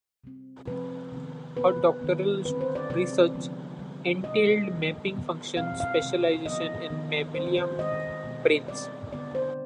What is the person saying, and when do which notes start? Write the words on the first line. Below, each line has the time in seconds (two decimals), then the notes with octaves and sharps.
Her doctoral research entailed mapping functional specialization in mammalian brains.
0.24 C3 G3 C4
0.67 C3 F3 G#3 C4 B4
1.12 C3 D#3 B3
1.57 C3 D#3 B3 B4
2.01 D#3 B3
2.45 D3 G3 C4 B4
2.61 C5
2.75 D5
2.90 C3 F3 G#3 C4 D5
3.35 D3 F3 G#3 B3
3.79 D3 G3 B3
4.23 B2 B3 D#5
4.68 D3 G3 B3
5.12 D#3 B3
5.57 B2 G3 C4 F5
5.80 F5
6.02 C3 D#3 G#3
6.46 D3 F3 B3 D#5
6.90 D#3 B3
7.35 D#3 G3 C4 C5
7.57 C5
7.79 D#3 G#3 C4 D#5
8.24 B2 G#3 B3
8.68 B2 G3 C4 D5
9.12 D3 G#3 B3 D5
9.35 C5